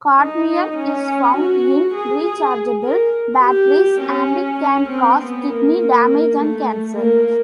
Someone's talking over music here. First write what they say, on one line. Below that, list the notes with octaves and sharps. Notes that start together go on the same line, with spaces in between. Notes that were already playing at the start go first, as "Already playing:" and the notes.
Cadmium is found in rechargeable batteries and can cause kidney damage and cancer.
D#4
C#4
F#4
G#4
G#4
A#4
G4
C#4
C#4
C4
B3
A#3
A3
A#3